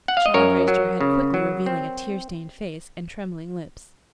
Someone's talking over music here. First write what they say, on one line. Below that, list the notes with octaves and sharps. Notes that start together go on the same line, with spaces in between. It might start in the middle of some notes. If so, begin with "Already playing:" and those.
The child raised her head quickly, revealing a tear-stained face and trembling lips.
F#5
F5
D#5
F#2 A#4 C#5
F#3
C#3
F#3
C4